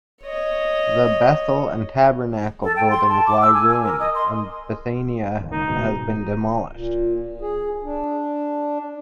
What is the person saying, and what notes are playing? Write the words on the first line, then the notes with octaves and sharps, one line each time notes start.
The Bethel and Tabernacl buildings lie ruined and Bethania has been demolished.
C#5 D#5
A4
G5
C6
A5
D6
E6
G#5
G#5
A#4
D#5
C6
A1 D#2
C#2 D#3 D#4
G#2 B2
A#2
G#4
D4